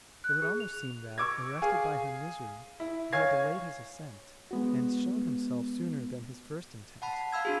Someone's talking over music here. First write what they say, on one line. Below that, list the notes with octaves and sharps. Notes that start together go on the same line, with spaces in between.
It would almost seem that, arrested by her misery, he had delayed his ascent, and shown himself sooner than his first intent.
F#6
G#4
F7
C#6 D6 E6 G#6
G#4 F5 G#5
E4
C#5 F5 G#5 G#6 C7
G#3 B3 F#4
F#5 A5 B5
C7
F5 B5 E6 G#6
D4 F#4 G#4